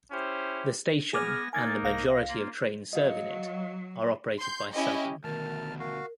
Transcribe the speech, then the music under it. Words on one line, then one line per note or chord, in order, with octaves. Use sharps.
The station and the majority of trains serving it are operated by Southern.
C#4 E4 G4 C5
B3 G#4 G#5 D6 F6 A#6
A#3 D#4 A#4 G#5 G#6 A6
C2 F5 A#6
A#3 F4
F#3 D#5 F5
C6 G6
C#4 E4 G4 D#5
D2 B2 D#3 A#4 A5 F6
F#4 A#4 F5